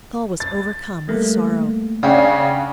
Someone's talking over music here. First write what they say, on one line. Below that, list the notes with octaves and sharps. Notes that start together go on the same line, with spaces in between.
Saul was overcome with sorrow.
A6
G3 A3 A#3
C#3 C#4 D4 D5 F#5 G5